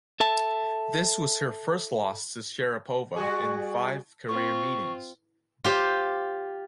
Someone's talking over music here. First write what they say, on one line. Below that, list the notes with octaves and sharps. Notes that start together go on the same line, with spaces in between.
This was her first loss to Sharapova in five career meetings.
A4 E5 A5
G3 F#4 G#4
C4 F4 C#6
F4 G4 C5